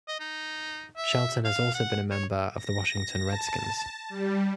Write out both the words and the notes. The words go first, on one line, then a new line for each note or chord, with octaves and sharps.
Shelton has also been a member of the Washington Redskins.
D#5
D#4
E5
F5
F#5
C#5
A#6
A5
G3